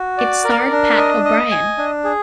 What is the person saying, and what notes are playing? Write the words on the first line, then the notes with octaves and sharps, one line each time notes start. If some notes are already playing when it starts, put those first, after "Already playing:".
It starred Pat O'Brien.
Already playing: F#4
D5
A#4
D4
D#5
D#5
G#5
D4
G#4